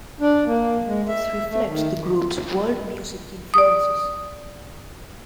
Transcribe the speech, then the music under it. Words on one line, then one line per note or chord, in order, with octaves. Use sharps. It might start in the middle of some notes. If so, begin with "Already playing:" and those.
This reflects the group's world music influences.
D4
A#3
G#3
E5
A3
D#3
D5 D#6